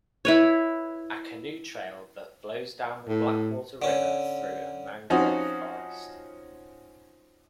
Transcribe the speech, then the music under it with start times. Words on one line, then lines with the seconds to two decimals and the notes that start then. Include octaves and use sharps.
A canoe trail that flows down the Blackwater River through a mangrove forest.
0.25 E4 B4 C#5
3.09 A2
3.82 D3 C#4
5.10 F3 C4 C#4 D#4 F#4